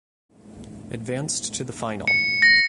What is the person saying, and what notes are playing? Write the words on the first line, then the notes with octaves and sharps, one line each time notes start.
Advanced to the Final.
C#7
A#6